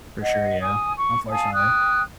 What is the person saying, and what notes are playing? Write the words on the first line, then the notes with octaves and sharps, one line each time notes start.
For sure, yeah, unfortunately.
D#5 F#5
G#5 D#6
C#6
F5 G#5 A5 D#6
G5 D#6 F#6